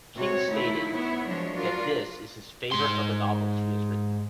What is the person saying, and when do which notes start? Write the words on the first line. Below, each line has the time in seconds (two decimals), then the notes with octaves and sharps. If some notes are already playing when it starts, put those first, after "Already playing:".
King stated that this is his favorite of the novels he has written.
0.14 C3 F#4 C#5
0.48 D#3 A3 E4 F4
0.91 B3 E4 C#5 E5
1.25 F3 F#3 G#3 D4 C#5
1.55 D4 F4 F#4 A#4
2.72 G#2 C6